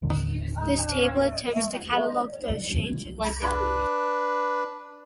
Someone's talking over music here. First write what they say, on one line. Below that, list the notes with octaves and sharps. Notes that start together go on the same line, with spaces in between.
This table attempts to catalogue those changes.
D#1 A1 D3 D#3
D4 B4